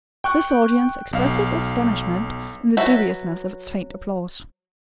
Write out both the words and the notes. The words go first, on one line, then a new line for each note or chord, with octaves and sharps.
This audience expressed its astonishment, in the dubiousness of its faint applause.
G5 C#6 F#6
B1 F5
F#3 B4 E5